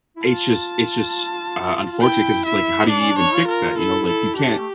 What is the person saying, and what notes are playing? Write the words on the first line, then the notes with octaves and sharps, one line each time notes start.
it's just it's just, uh, unfortunate 'cause it's like, how do you even fix that? You know? Like, you can't
E4
F4 A5
F4
E4 G5
E4 E5
D4 D5
C#4
D4
C#5
F4
A#4
E4 A4
E4 A4
D4 G4
A3